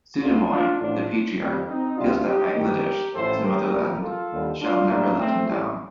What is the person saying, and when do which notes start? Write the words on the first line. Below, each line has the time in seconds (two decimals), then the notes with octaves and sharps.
Sudhamoy, the patriarch, feels that Bangladesh, his motherland, shall never let him down.
0.22 D2 D3 F3 D4 F4
0.51 D4 F4
0.80 A1 A2 F3 D4 F4
1.38 F2 D#3 G3
1.67 C4 D#4
1.96 D2 C3 G3 D4 F4
2.26 D#4 G4
2.55 G2 D#3 G3 G4 A#4
3.14 A1 A2 F3 A4 C5
3.43 G4 A#4
3.72 A#1 A#2 G3
4.01 F4 A4
4.30 D#2 D3 G3
4.60 D4 F4
4.89 A#1 A2 G3 A#3 D4
5.18 A3 C4
5.48 A1 A2 G3